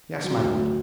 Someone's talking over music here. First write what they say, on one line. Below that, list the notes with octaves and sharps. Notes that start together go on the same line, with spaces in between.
"Yes, my lord."
F#3
D2